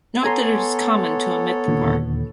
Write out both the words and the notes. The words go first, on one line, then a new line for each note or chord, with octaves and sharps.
Note that it is common to omit the part.
B3 A4 C#5 G#5 A#5 C6
D#2 A#2 D3